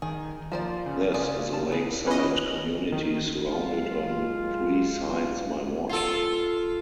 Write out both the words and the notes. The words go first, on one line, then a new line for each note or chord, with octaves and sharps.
This is a lakeside community surrounded on three sides by water.
D#3 G#4
F3 A#3 C5 D5
C#3
F4 G#4 D5
A5
G#4 B4
C#4 F4 B4 D#5 B5
D#3
F#3 G#3 F4
F4 A4